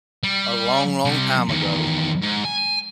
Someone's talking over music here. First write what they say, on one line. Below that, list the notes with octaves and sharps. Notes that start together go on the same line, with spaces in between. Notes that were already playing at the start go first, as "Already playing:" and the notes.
a long, long time ago,
G3
C3 G3
E2 D#3
G#2
G#5